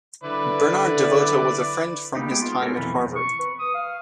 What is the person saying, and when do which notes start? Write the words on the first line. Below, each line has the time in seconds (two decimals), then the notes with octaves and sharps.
Bernard DeVoto was a friend from his time at Harvard.
0.24 D3 E4 B4 D5
2.15 A#3 B3 D#4 G4
2.30 G#3 B3 G4 G#4 G5
2.42 F4
2.61 G#3 F#4 G4 A4 A#4 C#5
2.77 F2 B2 E3 B4
3.16 C#6
3.39 B4
3.59 D#6
3.74 F5